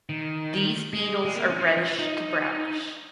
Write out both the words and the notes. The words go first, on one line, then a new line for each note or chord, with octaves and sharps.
These beetles are reddish to brownish.
D#3
G#3
G#3
A#3
C#4
F4
D#4
F4
D#4